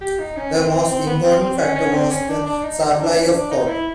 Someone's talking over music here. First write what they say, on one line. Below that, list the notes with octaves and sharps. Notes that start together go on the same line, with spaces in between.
The most important factor was the supply of cod.
G4
D#4
C#4
C4
C4
C4
B3
C4
C4
C#4
C#4
C4
C#4
D4
D4
D#4
D#4
D4
C#4
D4
D#4
E4